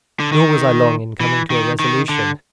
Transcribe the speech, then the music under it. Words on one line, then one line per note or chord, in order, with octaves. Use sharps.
Nor was I long in coming to a resolution.
D3
D#3
E3
D#3
D#3
D3